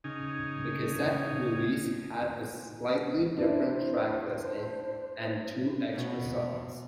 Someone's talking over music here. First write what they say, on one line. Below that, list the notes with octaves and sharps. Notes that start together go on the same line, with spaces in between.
The cassette release had a slightly different track listing and two extra songs.
C#3 D#4 G#5
D4 E4 C5
B2